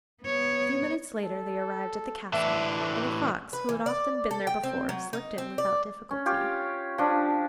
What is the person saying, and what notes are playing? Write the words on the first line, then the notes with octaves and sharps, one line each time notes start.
A few minutes later they arrived at the castle, and the fox, who had often been there before, slipped in without difficulty.
B3 C#5
A4
A2 E3 D4 E5
A3
B4
E3
D5
A4
G5
C4
F#3
D#4
C4
D5
C#4
F4 G4 C#5
F3 D4